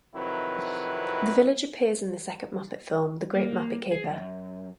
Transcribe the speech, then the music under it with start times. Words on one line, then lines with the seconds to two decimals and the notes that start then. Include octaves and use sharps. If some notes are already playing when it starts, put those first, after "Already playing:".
The village appears in the second Muppet film, "The Great Muppet Caper".
0.15 F2 C3 D#3 F#3 E4 B4
3.35 A#3
3.91 G#4
4.11 F#2